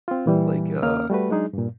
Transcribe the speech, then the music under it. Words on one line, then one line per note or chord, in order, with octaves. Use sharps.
Like, uh,
C4 F4
A#2 E3 G3
D#2 A#3 C#4 F6
G3 A3 F#4 B4
F#3 G#3 D4 D#4 G#4
G2 A#2